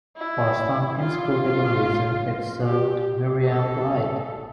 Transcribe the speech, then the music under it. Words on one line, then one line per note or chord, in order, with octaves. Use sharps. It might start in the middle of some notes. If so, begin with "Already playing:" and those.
For some inscrutable reason it served Miriam right.
E4
F4
G4
A4